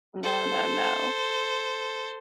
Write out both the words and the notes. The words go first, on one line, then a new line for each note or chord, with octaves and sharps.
No, no, no.
A4 C5